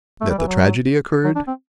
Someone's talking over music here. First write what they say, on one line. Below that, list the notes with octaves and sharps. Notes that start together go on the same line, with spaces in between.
"That the tragedy occurred?"
A3
G3
E3
F#3
F#3
D4
C4